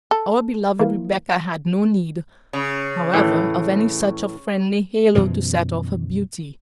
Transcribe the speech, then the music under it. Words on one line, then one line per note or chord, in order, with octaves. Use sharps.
Our beloved Rebecca had no need, however, of any such a friendly halo to set off her beauty.
A4
E3 A#3
C#3
A2 E3
F#2 B2 E3 F3